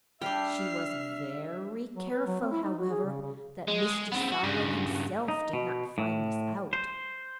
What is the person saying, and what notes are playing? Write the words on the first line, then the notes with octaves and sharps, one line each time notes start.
She was very careful, however, that Mr. Cyril himself did not find this out.
G3 D4 E5 G5 F6 C7
F#3
B4
F#3
C4
E4
D#4
F#4
G#4
C#3
C#3
G#3
B3 C4
F#4
G2 C#3
D#4
B2
A2
C5